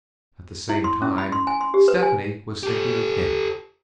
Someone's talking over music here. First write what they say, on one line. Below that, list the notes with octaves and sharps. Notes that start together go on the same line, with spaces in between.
At the same time Stephanie was thinking of him.
E4
C6
C#4
B5
C6
G#5
C6
G4
B4
G#5
G4 A4